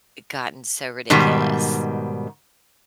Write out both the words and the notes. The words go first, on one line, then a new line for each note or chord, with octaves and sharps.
I gotten so ridiculous.
G#2 B2 D#3 G3